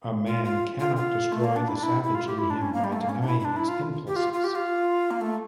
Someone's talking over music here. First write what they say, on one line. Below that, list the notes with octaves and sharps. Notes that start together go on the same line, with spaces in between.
A man cannot destroy the savage in him by denying its impulses.
F4
F4
F4
F4
A3
A#3
D4
E4
D4
E4
E4
F4
G4
E4
D4
C#4
A#3
G3
A3
A#3
C#4
D4
E4
E4
D4
E4
F4
G4
F4
F4
G4
F4
A#3
A3